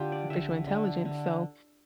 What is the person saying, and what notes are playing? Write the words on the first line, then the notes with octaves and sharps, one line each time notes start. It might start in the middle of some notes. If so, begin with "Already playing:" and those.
artificial intelligence, so,
Already playing: D3 F4 G4
D5
D3 E5
D3
D3